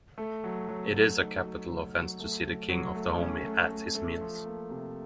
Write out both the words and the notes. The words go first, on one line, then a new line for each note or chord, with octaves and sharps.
It is a capital offense to see the king of Dahomey at his meals.
A3
F#3
F#3
F#3
D#4
F#3
F#3
F#3
A3
F#3
F#3
A3
C#4
A3
A3
A3
F3
A#3
C3